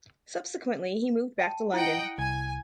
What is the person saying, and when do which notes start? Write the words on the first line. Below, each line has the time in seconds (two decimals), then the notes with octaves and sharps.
Subsequently, he moved back to London.
1.39 G5 A5
1.74 E4 D#5 F#5 G5
2.18 C2 G#5 G#6